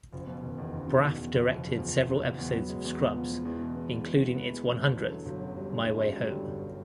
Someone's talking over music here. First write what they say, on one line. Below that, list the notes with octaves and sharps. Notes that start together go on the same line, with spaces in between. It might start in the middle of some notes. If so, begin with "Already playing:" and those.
Braff directed several episodes of "Scrubs", including its one-hundredth, "My Way Home".
F#1 F3
B2
F#1 D#3
E2
F#1
B2
F#1
E2
F#1 F3
B2
F#1
E2
F#1
B2
F#1
E2
F#3 B3
G#3
E2
B2
F3 B3
G#3
E2 E3
B2
B3
G#3
E2
B2
B3
G#3
E2
B2
E3 F#3
D3
G1 F#3
F#2
F#3 G3
D3
G1 G#3
F#2
F#3 G3
D3
G1